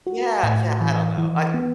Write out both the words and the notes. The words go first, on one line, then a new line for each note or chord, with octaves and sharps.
Yeah. Yeah. I don't know. I
F#4
A2
E3
E3
B3